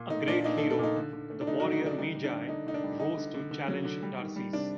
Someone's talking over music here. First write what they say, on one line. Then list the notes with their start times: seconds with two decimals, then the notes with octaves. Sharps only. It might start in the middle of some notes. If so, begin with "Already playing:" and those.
A great hero, the warrior "Magi", rose to challenge Darces.
Already playing: A#2
0.10 A3 D#4
0.27 A#2 D4
0.44 A#2 D#4
0.57 A4
0.62 A3
0.70 A4
0.79 A#2 D#4
0.96 D3
1.13 D3
1.30 A3
1.41 D4
1.47 D3 D#4
1.60 F#4
1.65 F#3
1.72 D#4
1.82 D3 D4
1.98 G3 D#4
2.16 D3
2.24 D4
2.33 D3
2.49 D3 D#4
2.66 D3 D#4
2.74 D4
2.83 G3
3.00 D3 D#4
3.17 D3
3.34 D3
3.51 D3
3.68 F#3
3.85 D3
4.03 G3
4.19 D#3
4.36 G3
4.53 C3 D4